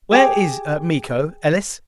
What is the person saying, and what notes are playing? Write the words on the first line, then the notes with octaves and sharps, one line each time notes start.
"Where is Miko, Ellis?"
G4 G#4 G5